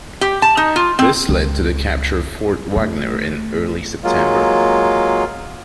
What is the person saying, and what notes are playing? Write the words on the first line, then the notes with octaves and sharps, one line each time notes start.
This led to the capture of Fort Wagner in early September.
G4
A5
D#4
F4
C4
C#2
A3
F#3 G#3 A#3 F4